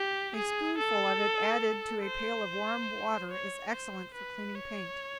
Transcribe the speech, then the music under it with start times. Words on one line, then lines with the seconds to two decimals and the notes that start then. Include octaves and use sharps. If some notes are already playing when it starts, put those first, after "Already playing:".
A spoonful of it added to a pail of warm water is excellent for cleaning paint.
Already playing: G4
0.36 G#4
0.78 A4
2.04 C5
3.30 C#5
3.72 C5
4.14 B4
4.55 C#5